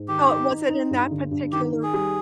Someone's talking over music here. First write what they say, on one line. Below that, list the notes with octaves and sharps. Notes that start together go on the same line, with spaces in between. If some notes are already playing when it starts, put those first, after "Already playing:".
Oh, was it in that particular
Already playing: G#2
D#3 G4
D#4
D#4
D#4
G2
D3
G2
D#3 G4
D#3
G#4
G3